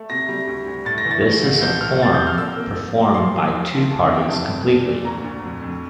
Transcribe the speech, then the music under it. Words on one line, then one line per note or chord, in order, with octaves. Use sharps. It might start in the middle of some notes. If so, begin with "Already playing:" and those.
This is a form performed by two parties competently.
Already playing: A3
C3 A#6
G3
D2
D2
A2 A6
A#6
E3
A6
A3
C2
F3 G6
A2 F6
C4 A6
F3 G6
F6
A#3 E6
A#3
A#3
A#3
F3 C6
A3
F3
F3
D2 A5
C3
G5
F2 A5
F2
A#2
A#2
D2 A#5
D2
F2
F2